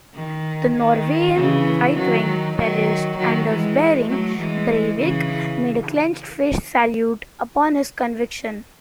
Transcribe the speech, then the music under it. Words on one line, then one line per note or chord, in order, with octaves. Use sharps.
The Norwegian right-wing terrorist Anders Behring Breivik made a clenched-fist salute upon his conviction.
D#3
D#3
C#3 E3
D#3 F#3
D#3 F#3
D#3 F#3
E3 G#3
F#3 A3
E3 G#3
C#3 E3